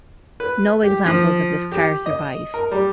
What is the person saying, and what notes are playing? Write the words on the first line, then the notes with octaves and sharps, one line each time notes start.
No examples of this car survive.
B4
G4
F3
G4
D#5
A#4
G3